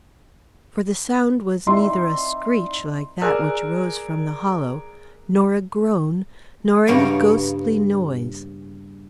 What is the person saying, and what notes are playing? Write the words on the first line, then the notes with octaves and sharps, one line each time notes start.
For the sound was neither a screech like that which rose from the hollow, nor a groan, nor any ghostly noise.
C4 D#4 E4 D5 E5 C6
G#4 A#4 D5 G#5 E6 F#6
G2 C#3 A#3 B3 C#5 G5